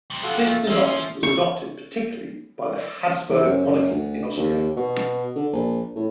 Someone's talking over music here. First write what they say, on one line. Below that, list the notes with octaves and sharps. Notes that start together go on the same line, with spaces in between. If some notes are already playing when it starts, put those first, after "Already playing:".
This design was adopted particularly by the Habsburg monarchy in Austria.
F2 C3
F4 F#4 A4
A3 F4
C#4 D#4 F4 E5
F3
C#6
E2
F#2
D2
D#2
B2
D3
A#1
A2